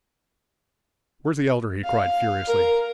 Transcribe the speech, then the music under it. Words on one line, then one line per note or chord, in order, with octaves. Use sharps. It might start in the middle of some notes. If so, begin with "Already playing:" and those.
"Where's the Elder?" he cried furiously.
F5
A#4